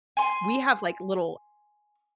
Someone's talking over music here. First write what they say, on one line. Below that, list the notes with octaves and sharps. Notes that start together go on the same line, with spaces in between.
We have, like, little
G#5 C6